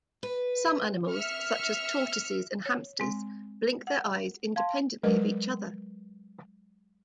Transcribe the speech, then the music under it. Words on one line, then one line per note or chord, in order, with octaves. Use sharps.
Some animals, such as tortoises and hamsters, blink their eyes independently of each other.
B4
E5 F6 C#7
C#5
G#3 C4
F#5
F5 A5 C6 G#6
F#3 G#3 A#4 B4 D#5